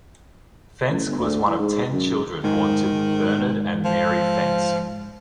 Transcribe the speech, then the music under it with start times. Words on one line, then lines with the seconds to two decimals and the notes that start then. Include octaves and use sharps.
Fenske was one of ten children born to Bernard and Mary Fenske.
0.89 A1
1.06 G1
1.19 D2
1.47 E3
1.59 G#2
1.93 F#2
2.44 G#2 D#3
3.85 F3